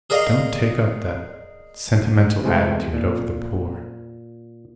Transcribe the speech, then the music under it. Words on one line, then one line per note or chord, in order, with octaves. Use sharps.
Don't take up that sentimental attitude over the poor.
G#4 A#4 D5 D#5 F5
C3 E3 G#3 A3
A#2